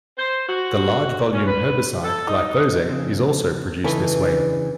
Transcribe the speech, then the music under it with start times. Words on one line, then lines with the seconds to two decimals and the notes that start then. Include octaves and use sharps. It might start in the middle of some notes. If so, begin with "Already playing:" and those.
The large volume herbicide glyphosate is also produced this way.
0.18 C5
0.48 F#4
1.33 C#4
1.46 B4
2.03 A4
2.26 D#4
2.89 C#3 F3 C4
3.84 C#3 E3 D#4 A4 B4
4.20 D4